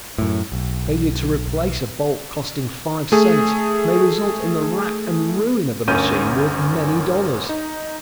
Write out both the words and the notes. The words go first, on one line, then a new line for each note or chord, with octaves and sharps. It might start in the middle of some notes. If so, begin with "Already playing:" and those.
Failure to replace a bolt costing five cents may result in the rack and ruin of a machine worth many dollars.
F#2 A2
B1
A3 G#4
G1 D2 C#4 A#4 G6 D#7
D#4